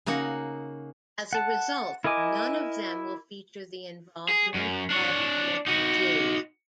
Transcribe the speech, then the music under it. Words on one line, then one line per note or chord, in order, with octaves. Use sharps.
As a result, none of them will feature the involvement of McG.
C#3 A#3 D#4 F#4 F#5
F#5 A5
E4 A#4 D#5 G#5 D6
G#4
F#2
D4 C#5
D#4 F#4